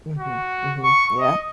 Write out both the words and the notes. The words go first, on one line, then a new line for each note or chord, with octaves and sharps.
Mhm, mhm, yeah.
F#4
C#6
D#5